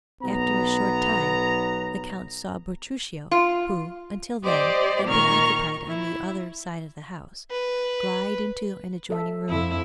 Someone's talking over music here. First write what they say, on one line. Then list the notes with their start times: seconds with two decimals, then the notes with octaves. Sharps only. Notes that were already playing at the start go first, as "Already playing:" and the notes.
After a short time, the count saw Bertuccio, who, until then, had been occupied on the other side of the house, glide into an adjoining room.
0.22 B1 B3 A#5
3.31 F4
4.43 G4 C5 D5 D#5
5.05 A#2 D#3 A#5 C#6 F6
5.88 E4
7.51 B4
9.10 A4 E5
9.49 F2 E4